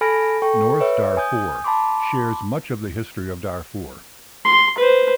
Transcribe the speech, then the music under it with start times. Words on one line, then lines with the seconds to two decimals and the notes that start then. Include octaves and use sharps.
North Darfur shares much of the history of Darfur.
0.01 A4 G#5 B5 F6 A#6 D7
0.42 A4 G5 C#6
0.80 B4 C#5 E5
1.17 G#5 D#6 G6
1.64 A5 B5 C6 D6
4.45 C6
4.78 B4 C5